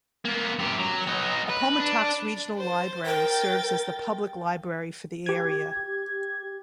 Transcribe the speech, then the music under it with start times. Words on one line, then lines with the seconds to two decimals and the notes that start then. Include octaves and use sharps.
Appomattox Regional Library serves as the public library for the area.
0.25 A#3 B3
0.59 F#2 G4
0.78 F#3
1.07 B3 D#4
1.49 B4
1.79 D4
2.58 C5 A6
3.06 A#4 G5 A6
5.26 G4 G#6